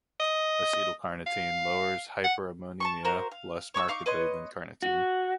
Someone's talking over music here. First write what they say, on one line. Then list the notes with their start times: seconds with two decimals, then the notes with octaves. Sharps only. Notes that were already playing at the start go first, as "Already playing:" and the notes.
Acetyl--carnitine lowers hyperammonemia less markedly than -carnitine.
0.20 D#5
1.27 F5
2.24 F#5
2.80 A5 C6 C#6
3.05 F#4 A#4 C5 F5
3.32 F5
3.74 C#5 C#6 D6 E6
3.88 D#4 F5 C#6 D6
4.06 B4 C#5 D#5 C6
4.82 F#4